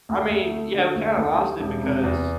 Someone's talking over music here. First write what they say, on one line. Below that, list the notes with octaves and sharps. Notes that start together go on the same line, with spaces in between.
I mean, yeah, we kinda lost it because
D2
D2
A3
D3
D2
D2
G3
E1
C3
E2